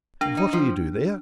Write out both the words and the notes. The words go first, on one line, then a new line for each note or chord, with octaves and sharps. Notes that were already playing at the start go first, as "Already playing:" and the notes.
And what'll you do there?
A#3 D4
D#4
F3